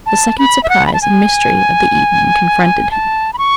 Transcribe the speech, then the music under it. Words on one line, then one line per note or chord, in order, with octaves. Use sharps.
The second surprise and mystery of the evening confronted him.
A5
B5
E5
F#5
B5
A5
G#5
A5
B5
C#6